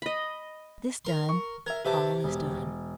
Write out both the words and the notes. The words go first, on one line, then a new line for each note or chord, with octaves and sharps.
This done, all is done.
D#5 B5
A#4 C6
C#6
A#4 E5 G#6
C3 G4 B4 E5 A5
E1